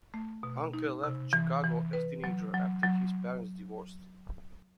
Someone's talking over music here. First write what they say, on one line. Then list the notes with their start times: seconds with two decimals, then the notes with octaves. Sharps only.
Huncke left Chicago as a teenager after his parents divorced.
0.14 A3
0.43 B2
0.74 D#4
1.04 C3
1.33 E3
1.64 E3
1.93 B4
2.24 F#3
2.54 F#3
2.83 F#3